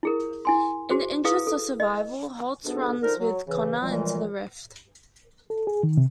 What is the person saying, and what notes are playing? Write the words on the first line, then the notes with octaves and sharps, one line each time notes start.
In the interest of survival, Holtz runs with Connor into the rift.
E4 G#4 A#4
E4 G#5 C6
F#4 G#4 C5
E4 G#4 B4 F5 D#6
A4
D#5
G#2 B2 B3 D4 A4
D3 F3 D#4 A#4
F#3
C#3 E3
F#2 A#2 E3 F3 G3 G#3
A4
G#4
D#3
C3